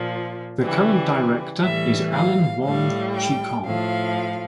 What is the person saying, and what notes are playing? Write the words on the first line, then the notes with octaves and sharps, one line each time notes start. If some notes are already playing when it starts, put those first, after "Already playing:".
The current director is Alan Wong Chi-kong.
Already playing: A#2 F3
C#3 E3 G3
A2 E3 G3 E5
F5
A2 G3 F5
G5
A2 F3 F5